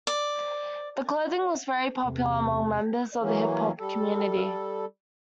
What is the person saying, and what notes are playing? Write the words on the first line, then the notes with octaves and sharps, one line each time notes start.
The clothing was very popular among members of the hip-hop community.
D5
E2 C3
E3 F#3 A#3 C#4
G3 A4